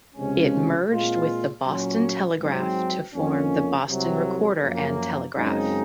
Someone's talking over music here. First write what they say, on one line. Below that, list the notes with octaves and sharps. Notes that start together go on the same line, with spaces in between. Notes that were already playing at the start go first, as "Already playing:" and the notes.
It merged with the "Boston Telegraph" to form the "Boston Recorder and Telegraph".
C#2 C3 F3 G#3 C#4
A#2 G#3 C4 F4
A#2 F#3 C#4
G#2 F#3 C4
F2 D#3 A#3 C#4
C2 C3 F#3
F#2 F3 A#3
F#2 C#3 G#3 C4 D#4